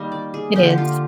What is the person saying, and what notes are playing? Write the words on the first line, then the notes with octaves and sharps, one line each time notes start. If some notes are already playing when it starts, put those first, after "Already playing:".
It is.
Already playing: D#3 G3 A#3
D5
G#4
D3 F3 A#3 G4
G4
F4